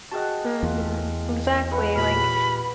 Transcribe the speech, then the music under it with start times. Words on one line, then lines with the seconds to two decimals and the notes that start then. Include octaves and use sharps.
Mhm, exactly, like,
0.11 F#4 G#4 D#5 F#5 G5 A5
0.63 E2 F4
1.72 B4 C#5 F#5
1.96 A#2 G4 B5 F6